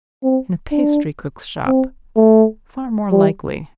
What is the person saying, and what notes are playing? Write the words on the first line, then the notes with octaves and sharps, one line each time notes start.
In a pastry-cook's shop? Far more likely.
C4
D4
C4
A3
G3